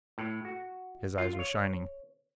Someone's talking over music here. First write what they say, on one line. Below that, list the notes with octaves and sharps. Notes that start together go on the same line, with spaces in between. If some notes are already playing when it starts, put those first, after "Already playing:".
His eyes were shining.
A2
F#4
F4
C#5